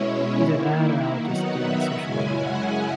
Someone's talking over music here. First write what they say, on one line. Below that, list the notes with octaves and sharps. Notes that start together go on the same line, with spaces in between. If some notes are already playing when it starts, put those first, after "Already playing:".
either that or I'll, just, do, like, social media.
Already playing: B2 G#3 C#4 E4 C#5
D#3 A#3 E4
D#3 F#3 B3 D#4 F#5
E5
F#2 C#3 G#3 C#4 E4 G#5
F#5